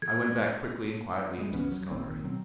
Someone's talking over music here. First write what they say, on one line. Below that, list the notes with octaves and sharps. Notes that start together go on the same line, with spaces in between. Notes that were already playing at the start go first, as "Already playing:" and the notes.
I went back quickly and quietly into the scullery.
G#6
G3 G#3
C#2 E3 B3 C#4
F#3
G#1 A#2 D#3 C4
B2 F#3 C4